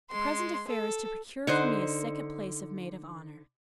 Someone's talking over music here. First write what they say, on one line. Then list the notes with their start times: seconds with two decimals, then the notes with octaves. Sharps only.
"The present affair is to procure for me a second place of maid of honor."
0.10 G#3 C6
0.67 A4
1.47 D3 D#4 C5